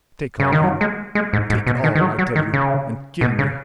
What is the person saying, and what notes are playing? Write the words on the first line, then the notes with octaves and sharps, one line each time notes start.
"Take all, then--take all, I tell you, and kill me!"
C#3
D#3
F#3
G#3
G#3
G#2
G#2
B2
D#3
D#3
F#3
F#3
D#3
C#3
B2
C#3